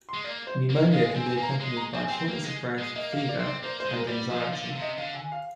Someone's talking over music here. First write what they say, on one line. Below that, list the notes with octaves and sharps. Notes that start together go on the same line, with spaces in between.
Pneumonia can be accompanied by shortness of breath, fever, and anxiety.
C6
G#3
A#3 D5
C5
A#3
G#3 F5
G#5
C4
G#5
A#3 A#5
G#3
A#5
C4 G#5
C4 G5
A#3
G#3
G#3
A#3 D#5
F5
A#3
D5
C4
D5
A#3 C5
C5
G#3
A#4
G3
D5
F3 D#5
F5
D3
F5
C3
D#5
D3 F5
G#5
F5